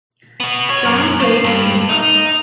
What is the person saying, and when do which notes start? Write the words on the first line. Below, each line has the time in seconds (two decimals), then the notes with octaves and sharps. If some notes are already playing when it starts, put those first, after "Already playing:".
John Graves Simcoe.
0.40 B3 F#4
0.70 C#5
0.85 F#2
1.20 A3 F5
1.44 G2
1.89 D#4